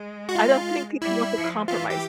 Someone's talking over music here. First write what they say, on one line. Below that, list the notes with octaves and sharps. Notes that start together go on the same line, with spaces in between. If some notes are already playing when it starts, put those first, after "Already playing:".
I don't think people want to compromise.
Already playing: G#3
F#4
F4
G3 E4
F3
E3 F4
G4